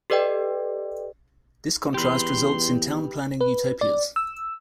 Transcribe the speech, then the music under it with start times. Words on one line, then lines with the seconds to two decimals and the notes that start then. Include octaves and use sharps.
This contrast results in town-planning utopias.
0.10 G4 A4 B4 D5 D#5 G5
1.94 E2 G4 B4 C6
3.41 B4
3.81 D5
4.16 E6